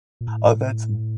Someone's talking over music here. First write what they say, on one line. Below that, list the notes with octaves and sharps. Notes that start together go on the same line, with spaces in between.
Oh, that's in
A#2
A2